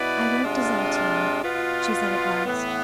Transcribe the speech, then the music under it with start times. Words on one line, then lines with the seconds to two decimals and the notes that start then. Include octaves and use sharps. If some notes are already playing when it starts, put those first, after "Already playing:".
"I won't desert you," she said at last.
Already playing: B2 B3 E4 B4 D5
0.42 C3 G#3 D4 F4
1.43 B2 B3 F4
2.45 A2 E3 B3